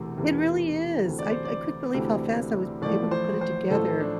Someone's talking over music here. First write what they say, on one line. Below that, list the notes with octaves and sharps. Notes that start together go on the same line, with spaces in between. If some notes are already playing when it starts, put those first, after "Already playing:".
It really is. I I couldn't believe how fast I was able to put it together,
Already playing: E1 E2 C3 E3 A3
E1 E2 C3 E3 A3
D2 C3 E3 A3 C4
D5
C5
D5
D2 C3 E3 A3 C4
A1 A2 F3 A3 D5
C5
C5
A1 A2 F3 A3 A4
D4